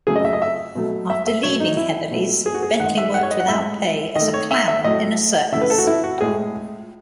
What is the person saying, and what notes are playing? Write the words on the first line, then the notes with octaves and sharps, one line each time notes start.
After leaving Heatherley's, Bentley worked without pay as a clown in a circus.
C#3 F#3 A3 G#4
D#5
E5
D#5
E5
B2 F#3 A3
E5
E5
B2 F#3 A3 C#5
D#4
E4
B2 F#3 A3
G#4
F#4
G#4
D#3 G#3 F#5
E5
F#5
C#5
D#5
F#5
A2 G#3 E5
D#3 A3 D#5
C#5
E5
E5
A2 F#3 A3 D#5
C#3 E3 A3 E5
B4
A4
F#4
E4
F#4
A2 G#3 G#4